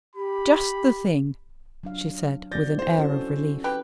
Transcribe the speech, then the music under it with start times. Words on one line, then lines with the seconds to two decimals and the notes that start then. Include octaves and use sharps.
"Just the thing!" she said, with an air of relief.
0.15 G4 B5
1.83 F#3 D4 F5
2.52 C4 F#4 D5 G6 A6 A#6
2.79 E4 A4 C5
2.99 C#4 F#4 A4
3.64 G4 B4